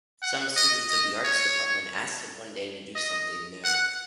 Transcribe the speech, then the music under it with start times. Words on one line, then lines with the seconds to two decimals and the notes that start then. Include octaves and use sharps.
Some students of the Arts Department asked him one day to do something new.
0.22 F#5
0.57 D#5
0.90 D#5
1.24 C#5
2.95 D#5
3.64 F#5